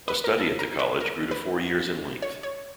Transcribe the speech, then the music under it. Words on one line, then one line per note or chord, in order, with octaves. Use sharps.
A study at the college grew to four years in length.
B4
A#4
A4
A#4
B4
A#4
B4
C#5
C#5